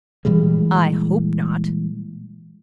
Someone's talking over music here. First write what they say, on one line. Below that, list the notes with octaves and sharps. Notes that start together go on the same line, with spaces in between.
"I hope not."
A#2 E3 G3 G#3